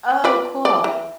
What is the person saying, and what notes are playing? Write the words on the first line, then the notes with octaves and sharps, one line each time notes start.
Oh, cool.
F4 B4 D5
D5
E3